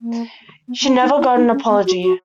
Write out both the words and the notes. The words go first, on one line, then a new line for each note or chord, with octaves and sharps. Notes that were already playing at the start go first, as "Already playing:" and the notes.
She never got an apology.
A#3
B3
B3
C#4
D#4
E4
D#4
C#4
B3
F#4
F#4